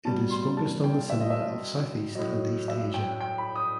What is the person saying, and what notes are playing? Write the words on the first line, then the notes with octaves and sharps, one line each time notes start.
It is focused on the cinema of Southeast and East Asia.
B2 G3 A5
C6
A5
G5
E5
D#5
E5
A2 F#3 D#5
E5
G5
G5
B5
D#6